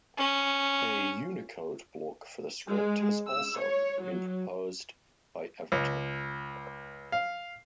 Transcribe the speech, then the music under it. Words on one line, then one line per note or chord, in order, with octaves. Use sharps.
A Unicode block for the script has also been proposed by Evertype.
C#4
G#3
E6
C#5
F#3
C#2
F5